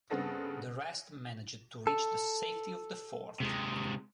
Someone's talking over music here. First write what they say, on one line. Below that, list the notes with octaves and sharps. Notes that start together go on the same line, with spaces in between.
The rest managed to reach the safety of the Fort.
G2 C#3 B3 C4 A4 A#6
A4
C3 G#3